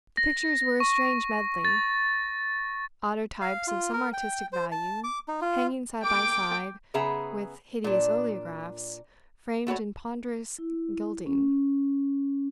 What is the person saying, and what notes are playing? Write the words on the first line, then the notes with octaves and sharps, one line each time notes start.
The pictures were a strange medley--autotypes of some artistic value hanging side by side with hideous oleographs framed in ponderous gilding.
A#6
C#6
A6
F5
F4
A#4
G5
C5
A5
D6
D#4
F4
G5 D6
C#3 B3 G#4 E5 A#5
A#2 D4
A3 F#4 B4 C#5
E4
C#4